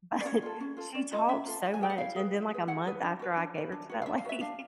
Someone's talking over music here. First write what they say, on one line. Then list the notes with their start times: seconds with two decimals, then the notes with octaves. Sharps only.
But she talked so much, and then, like, a month after I gave her to that lady,
0.20 D5
0.25 C#4 C#5
0.42 F4 A4
0.60 C#4
0.77 F4 A4
0.94 C#4 D5
1.12 F4 A4 D#5
1.29 C#4 E5
1.46 F4 A4
1.64 E4
1.74 G#5
1.81 G#4 B4 G5
1.90 F#5
1.98 E4 F5
2.16 G#4 B4
2.33 E4
2.50 G#4 B4
2.67 E4 F#5
2.86 G#4 B4
3.03 D4
3.19 F#4 B4
3.37 D4
3.55 F#4 B4
3.72 D4
3.89 F#4 B4
4.02 F5
4.06 D4 E5
4.18 F5
4.24 F#4 B4 E5
4.41 D4 F5